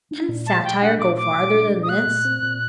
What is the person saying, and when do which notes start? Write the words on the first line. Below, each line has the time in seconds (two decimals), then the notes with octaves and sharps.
Can satire go farther than this?
0.11 D4
0.28 A#2
0.46 A3 A5
0.64 A#2 G5
0.82 D4 F#5
0.99 A#2 D6
1.17 A3 D6
1.35 A#2
1.53 D4
1.71 A#2
1.83 D#6
1.89 A3 F#6
2.07 A#2
2.25 C4
2.42 A#2